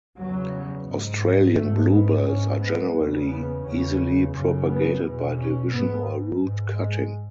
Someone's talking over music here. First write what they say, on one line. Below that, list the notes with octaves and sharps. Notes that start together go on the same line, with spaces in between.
Australian bluebells are generally easily propagated by division or root cutting.
E2 C#3 F#3
G#2
G#2 A3
B3
G#2 C#4
B3
E2 C#3
B3
E2 C#3 C#4
F#2 C#3
B3
E2 B2
C#4
G#2 B3
G#2
G#3